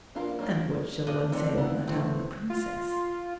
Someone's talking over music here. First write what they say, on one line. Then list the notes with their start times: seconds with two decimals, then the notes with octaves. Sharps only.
"And what shall one say of madame la princesse?"
0.15 A#1 D4 F4 A#4
0.39 F#3 A#3 D#4
1.07 C#3 D4 D#5
1.32 F1 C4 D4 A4 C#5 D5
1.58 B3 D#4 E4
1.88 E2 A2 A3 C4
2.50 F4